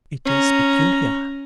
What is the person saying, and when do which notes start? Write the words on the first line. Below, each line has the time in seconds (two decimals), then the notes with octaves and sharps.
It is peculiar.'
0.25 C#4 A#5